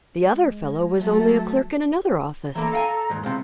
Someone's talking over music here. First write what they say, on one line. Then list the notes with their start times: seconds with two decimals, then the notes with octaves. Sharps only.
"The other fellow was only a clerk in another office."
0.18 G#3
0.94 F#3 A3
2.55 E3 A#3 A4 A#5
2.73 F5 G5 G#5
3.10 D#2 G#2
3.23 C#2 C3